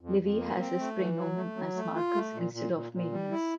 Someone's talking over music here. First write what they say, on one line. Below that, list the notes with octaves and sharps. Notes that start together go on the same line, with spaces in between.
Livy has his praenomen as Marcus instead of Manius.
F2
F2
A#3
C4
A3
E3
F#3
A3
F#3
A3
F4
A3
A#2
A#2
A#2
A#2
G3
E4